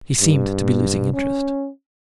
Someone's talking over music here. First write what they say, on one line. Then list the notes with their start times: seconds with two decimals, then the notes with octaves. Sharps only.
He seemed to be losing interest.
0.21 G2
1.14 C#4